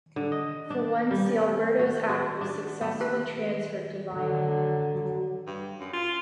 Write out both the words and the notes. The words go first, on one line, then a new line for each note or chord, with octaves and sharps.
For once, the Albertos' act was successfully transferred to vinyl.
D3
D#5
D4
G3
C#4
F#4
F#4
D4
B3
A#3 G4 B4
D3 F#3
G2
F#2
F4